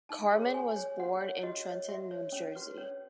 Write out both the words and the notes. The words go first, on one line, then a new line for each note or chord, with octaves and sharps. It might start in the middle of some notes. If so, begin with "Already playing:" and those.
Carman was born in Trenton, New Jersey.
D#4 A5
G#4 C#5
F#4 G#5
C#5
F#4 F#5
C#5
F#4 D#5
C#5 D#5
F#4 E5
C#5
C#4 C#5
F#4 B4
C#4 C#5